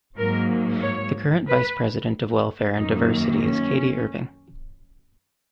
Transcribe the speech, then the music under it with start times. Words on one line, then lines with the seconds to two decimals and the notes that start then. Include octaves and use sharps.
The current Vice President of Welfare and Diversity is Katie Irving.
0.17 G#2 F#3 A#3 A#4
0.82 C#5
1.48 B4
2.77 F#2 D#3 A#3 D#4
3.42 C#4